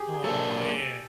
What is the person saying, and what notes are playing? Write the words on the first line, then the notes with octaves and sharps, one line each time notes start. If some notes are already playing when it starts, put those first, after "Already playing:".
Aw, yeah.
Already playing: G4 G#4
G#4
F#3 A#3 D4 A4